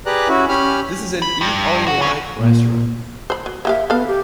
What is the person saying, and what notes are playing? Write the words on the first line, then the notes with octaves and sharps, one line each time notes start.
This is an Eat All You Like restaurant.
G4 G#4 B4 D5 A#5 F#6
C#4 E4 F#4
C#4 G4 B5 F6
B5
G2
F#4
C#3
A#2
C5 B5
F#3
A#3 G4 E5 F5
B3 A4 F5
G4